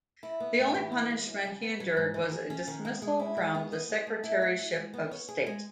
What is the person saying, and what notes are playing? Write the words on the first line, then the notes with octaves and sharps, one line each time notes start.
The only punishment he endured was a dismissal from the Secretaryship of State.
E4
B3
A2
E3
D#4
G#3
F#2
C#3
B3
F#3
G#2
D#3
G#4
C#4
D#3
G#3
G#3
E4
G#3
B3
D#5
G#4
A3
E4
C#5
F#4
G#3
B3
C#5
G#4
G#3